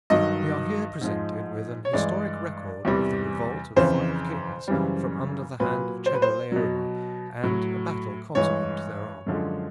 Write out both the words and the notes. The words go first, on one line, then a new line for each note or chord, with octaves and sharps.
We are here presented with an historic record of the revolt of five kings from under the hand of Chedorlaomer, and a battle consequent thereon.
G2 D#3 F#3 D#5
G#2 F3 G#3
C#5
G2 E3 G#3 D5
E2 C3 E3 G3
F2 C#3 E3 C5
F#2 C#3 E3 G3
A#2 F#3 B4
C5
B4
C5
B2 F#3
A2 F#3
G2 E3 G#3 C#5
F#2 D3 F3 G#3